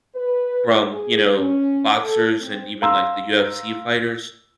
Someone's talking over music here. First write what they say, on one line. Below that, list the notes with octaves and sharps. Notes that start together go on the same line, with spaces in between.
from, you know, boxers and even, like, the UFC fighters
B4
G#4
C#4
A4
C4
F5 A#5 C6 E6